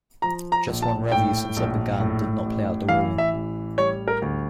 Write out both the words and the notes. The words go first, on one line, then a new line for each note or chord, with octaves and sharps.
Just one revue since it began did not play at the Royal.
F3 A#5
A#5
A#1
A5
A2 G5
A#1
A2
A1
E3 F5
E5
A1
G3 C#5
A#4
D2